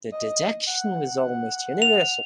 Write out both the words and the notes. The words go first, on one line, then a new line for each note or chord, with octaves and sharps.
The dejection was almost universal.
D#5
F#5
F7